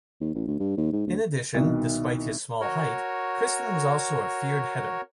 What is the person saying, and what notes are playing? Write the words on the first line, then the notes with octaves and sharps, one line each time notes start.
In addition, despite his small height, Kirsten was also a feared header.
D#2
A1
D2
G2
D#2
G#2
D2
C2 B2 D#3
F#4 A#4 C#5